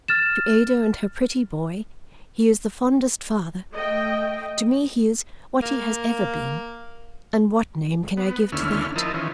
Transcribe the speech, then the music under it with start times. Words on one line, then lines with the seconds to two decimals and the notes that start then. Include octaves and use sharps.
To Ada and her pretty boy, he is the fondest father; to me he is what he has ever been, and what name can I give to that?
0.08 F6 A6 E7
3.73 A3 D#5 G5
5.62 A#3
8.17 B3
8.52 D#2 D3 C#4 E4 F6
8.96 F3 E4 A#4 D#5 A5
9.14 D#3 E3 C#4 F4